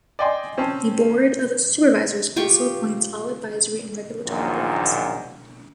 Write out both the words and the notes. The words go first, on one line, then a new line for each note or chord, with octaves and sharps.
The Board of Supervisors also appoints all advisory and regulatory boards.
D5 D#5 G5 G#5 C6
C4 C#4 A5
F4 G4 G5 C#6
A#1 F#2 A#2 D#3